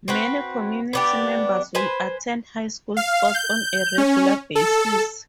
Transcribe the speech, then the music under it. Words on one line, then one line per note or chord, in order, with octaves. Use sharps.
Many community members will attend high school sports on a regular basis.
C4 F#4 B4
B3 D4 G4
B4 C5 G#5
F5
G6
C#4
A4